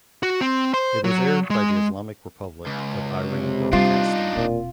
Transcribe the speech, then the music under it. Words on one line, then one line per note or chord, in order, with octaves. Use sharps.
It was aired by the Islamic Republic of Iran Broadcasting.
F#4
C4
C5
F#3
G#3
C#2
C3
G3 D4 D#4 F4
E1 A#2 C4